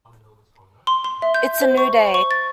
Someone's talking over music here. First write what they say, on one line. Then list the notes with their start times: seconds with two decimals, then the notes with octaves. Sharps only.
It's a new day.
0.87 C6
1.04 C6
1.22 E5
1.34 G6
1.61 C5
1.78 C#6
2.14 C#6
2.31 A6